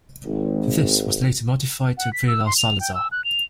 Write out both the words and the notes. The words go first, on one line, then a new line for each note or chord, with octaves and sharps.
This was later modified to Vila Salazar.
G#1
F#5
B6
E6
C6
F7
G5
E6
F#6
F7